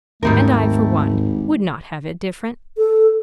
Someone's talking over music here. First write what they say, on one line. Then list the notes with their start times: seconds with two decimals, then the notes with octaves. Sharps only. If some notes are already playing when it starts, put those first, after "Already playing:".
And I, for one, would not have it different.
0.23 G#1 D#2 G#2 D#3 G3 A3 A#4
2.78 A4